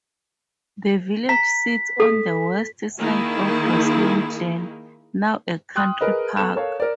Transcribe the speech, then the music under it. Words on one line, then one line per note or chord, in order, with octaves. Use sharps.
The village sits on the west side of Roslin Glen, now a country park.
A#5 B6
A4
D#3 A#3 D#4 E4 G#4
G5 C6 D#6 F6 F#6
G#4 A#4 B4 D#5
B3 A4 E7
A4 A#4 C#5 F5
A#4 D5